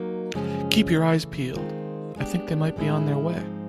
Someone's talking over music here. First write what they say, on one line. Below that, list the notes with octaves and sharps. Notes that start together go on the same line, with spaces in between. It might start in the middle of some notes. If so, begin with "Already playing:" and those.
Keep your eyes peeled! I think they might be on their way.
Already playing: F#3 A#3 D#4
F#2 C#3 F3 G#3 C#4
C#3 E3 A3
D#3 G#3 C4 F4
G#3 B3 D4 G4
A2 E3 G#3 C#4 E4
G#2 F3 G#3 C4 D#4